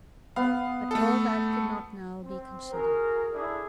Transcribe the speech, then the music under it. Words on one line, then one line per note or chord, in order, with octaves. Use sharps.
But all that could not now be considered.
B3 F5
A3 A4
C4
F#4 G#4 A#4
D4 E4 G#4 A4 D5